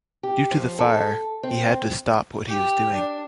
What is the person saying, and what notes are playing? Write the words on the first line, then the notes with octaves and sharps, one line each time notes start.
Due to the fire, he had to stop what he was doing.
G4
F3
A4
C4
G4
D4